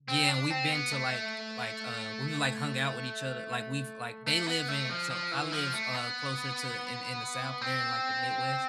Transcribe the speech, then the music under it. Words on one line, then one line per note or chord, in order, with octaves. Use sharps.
Yeah. We've been to, like like, uh we've, like, hung out with each other, like, we've like they live in so I live, uh, closer to in in the South. They're in, like, the Midwest,
C4
D4
C4
B3
A3
A3
B3
A3
F3
F3
E3
F3
A3
B3
C4